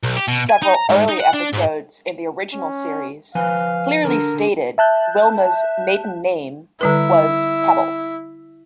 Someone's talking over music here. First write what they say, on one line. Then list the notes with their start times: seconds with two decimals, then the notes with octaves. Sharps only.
Several early episodes in the original series clearly stated Wilma's maiden name was Pebble.
0.03 B1
0.17 G4
0.28 B2
0.49 G#5
0.63 D#4
0.75 A#5
0.90 G#2
1.09 D#4
1.20 F#5
1.34 D4
1.54 G#2
2.53 C#4
3.35 F3 B4 F5 G#5
4.04 D3 A#4
4.78 E5 A5 F#6 G6
6.81 D3 G3 E4 B4